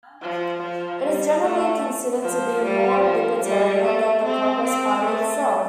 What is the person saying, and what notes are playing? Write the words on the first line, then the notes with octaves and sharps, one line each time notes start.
It is generally considered to be more libertarian than the Progress Party itself.
F3
F3
G3
A3
F3
G3
F3
G3
A3
C4
C4
A3